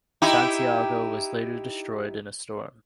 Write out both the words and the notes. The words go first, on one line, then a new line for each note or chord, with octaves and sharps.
"Santiago" was later destroyed in a storm.
D#4 E4 G4